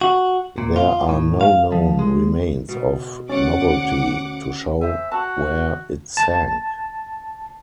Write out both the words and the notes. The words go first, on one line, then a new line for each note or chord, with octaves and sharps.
There are no known remains of "Novelty" to show where it sank.
F#4
A#2
F4
A2
F5
F3
G#3
B2
D2 C#4 D5 F#5 D6
C5 E5 G#5
F#4 A5
A5